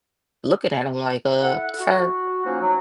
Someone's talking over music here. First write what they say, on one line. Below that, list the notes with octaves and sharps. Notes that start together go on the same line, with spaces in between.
looking at him, like, "Uh, sir,
E4 A4 E5 F#5
F#4
F3 F#3 A#3 C#4 D#4 F#4
F#3